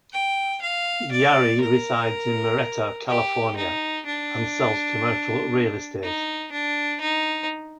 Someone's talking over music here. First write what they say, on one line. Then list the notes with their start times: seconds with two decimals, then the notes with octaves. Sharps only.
Yary resides in Murrieta, California, and sells commercial real estate.
0.13 G5
0.62 F5
1.12 D5
1.61 A#4
3.08 G4
3.57 D#4
4.06 D4
6.03 D#4
6.52 D4
7.01 D#4